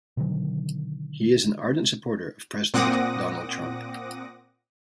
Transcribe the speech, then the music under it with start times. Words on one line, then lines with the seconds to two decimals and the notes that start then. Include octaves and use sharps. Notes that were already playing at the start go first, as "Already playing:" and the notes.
He is an ardent supporter of president Donald Trump.
0.17 B2 D3 D#3 F#3
2.74 A#2 C4 F#5 D6 D#6 A#6